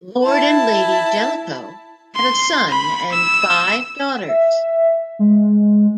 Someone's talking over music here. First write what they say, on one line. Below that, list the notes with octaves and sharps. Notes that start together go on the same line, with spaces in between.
Lord and Lady Jellicoe had a son and five daughters.
E4 A5
C6
B5
E6
E5
G#3